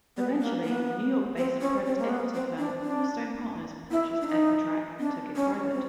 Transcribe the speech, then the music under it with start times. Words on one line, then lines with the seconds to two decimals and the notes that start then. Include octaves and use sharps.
Eventually, New York-based private equity firm Cornerstone Partners purchased Equitrac and took it private.
0.17 B3
0.40 A#3
0.65 B3
1.37 C4
1.61 C#4
1.86 C4
1.99 A#3
2.09 B3
2.34 C4
2.58 D4
2.83 D4
3.91 E4
4.21 D4
4.27 D#4
4.99 D4
5.36 C#4
5.72 C4